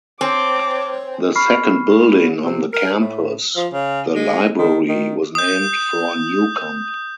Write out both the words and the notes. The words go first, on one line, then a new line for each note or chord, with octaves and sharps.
The second building on the campus, the library, was named for Newcomb.
C4 C#5 A5 D6
B5 C#6 F6 C7
C3
A#4
A2
F3
C#3
G#3
D#3
D#3
D#6 G6